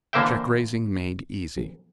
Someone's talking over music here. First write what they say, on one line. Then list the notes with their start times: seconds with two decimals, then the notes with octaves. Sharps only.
Check-Raising Made Easy.
0.13 D3 E3 A#3 C5 E5 G5